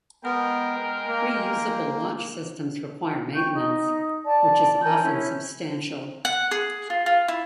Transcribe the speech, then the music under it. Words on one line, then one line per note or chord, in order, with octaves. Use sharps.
Reusable launch systems require maintenance, which is often substantial.
G#3 B3 A#4 G5
A#3
G5 C#6 G6
D#4
D5 A5
A#4 G#5 A5 G6
C#4 E4
F#5
G#4
F4
F4
E4